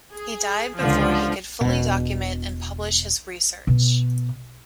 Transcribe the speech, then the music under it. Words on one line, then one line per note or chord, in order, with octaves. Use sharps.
He died before he could fully document and publish his research.
G#4
C#2 D3 F3
E1 B2
B2